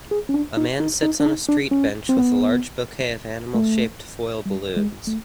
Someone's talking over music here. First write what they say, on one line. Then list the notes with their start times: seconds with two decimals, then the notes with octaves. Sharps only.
A man sits on a street bench with a large bouquet of animalshaped foil balloons.
0.11 G#4
0.29 C#4
0.34 D4
0.57 D#4
0.80 D#4
1.02 D#4
1.20 D4
1.26 D#4
1.49 D4
1.71 C#4
2.09 C4
2.17 B3
3.55 A3
4.46 G3
4.77 G#3
5.07 A3